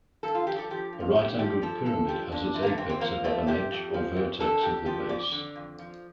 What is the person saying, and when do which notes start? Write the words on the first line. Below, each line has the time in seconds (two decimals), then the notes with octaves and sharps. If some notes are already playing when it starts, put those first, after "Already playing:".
A right-angled pyramid has its apex above an edge or vertex of the base.
0.23 G2 A4
0.35 F4
0.46 F3 G4
0.59 A4
0.70 F3 G4
0.93 G2
1.00 F4
1.15 G2 G4
1.39 F3 G4
1.62 F3 A4
1.86 G2 A4
2.08 F3 G4
2.32 F2 D4
2.54 C3 A3
2.63 A#3
2.67 A3
2.78 F2 C4
2.89 C4
3.01 F3 A#3
3.24 F2 A3
3.47 C3 G4
3.71 F2
3.94 F3
4.16 F2
4.39 D3 A4
4.63 F2 G4
4.86 F3 G4
5.09 F2 D5
5.32 D3
5.55 F2
5.79 F3